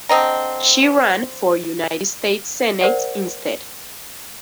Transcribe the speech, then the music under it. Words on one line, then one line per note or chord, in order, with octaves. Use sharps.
She ran for United States Senate instead.
D3 C4 D#5 A#5
A#4 C5 D5 F#5